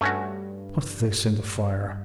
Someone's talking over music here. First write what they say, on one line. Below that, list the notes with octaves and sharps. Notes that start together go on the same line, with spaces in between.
"Put this in the fire."
G2 A3 C#4 F#4